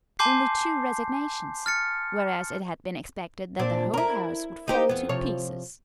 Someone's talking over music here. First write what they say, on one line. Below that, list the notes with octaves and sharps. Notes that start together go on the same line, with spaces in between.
Only two resignations;--whereas it had been expected that the whole House would fall to pieces!
G#5 A5 C6 D6 G6 C7
F6 A6 C#7
A#2 C4 D4
E4 A#4
D#4 G4 C5
F2 B3
C3 F3 C#5